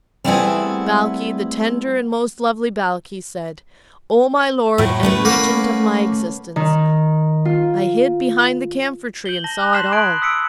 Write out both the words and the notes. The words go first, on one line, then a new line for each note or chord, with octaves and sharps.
Balkis--The tender and Most Lovely Balkis--said, 'O my Lord and Regent of my Existence, I hid behind the camphor-tree and saw it all.
G3 A3 B3 C4 E4 G#4
A2 F#3
A3 C#4 B4
A#3 F#5 B5
D#3
F4
G6 F#7 G7
A5 A#6
F#6
C6 B6 C7 E7 F#7
B5 D#6 F#6 G#6 D7 F#7
D#6 E6 B6 C#7 D7